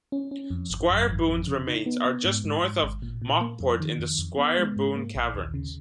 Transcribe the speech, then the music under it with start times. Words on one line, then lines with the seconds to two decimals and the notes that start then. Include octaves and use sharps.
Squire Boone's remains are just north of Mauckport in the Squire Boone Caverns.
0.12 C#4
0.31 C#4
0.50 F2
0.70 G#1
0.89 F#2
1.10 G#1
1.28 F2
1.48 C#3
1.67 D#4
1.86 B3
2.05 B3
2.25 G#2
2.44 G#2
2.64 G#2
2.83 G#1
3.02 A#2
3.22 A#2
3.41 A#3
3.60 F2
3.80 D#3
3.99 F2
4.19 F2
4.38 B3
4.58 G#3
4.76 G#2
4.96 A#3
5.15 A#1
5.35 D#2
5.54 C#3